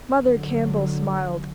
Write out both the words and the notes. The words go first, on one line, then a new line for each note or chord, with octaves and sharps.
Mother Campbell smiled.
D3 F#3